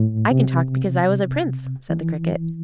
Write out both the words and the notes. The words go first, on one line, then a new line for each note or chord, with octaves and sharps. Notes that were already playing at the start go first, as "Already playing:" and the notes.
'I can talk because I was a Prince,' said the Cricket.
Already playing: A2
C3
E3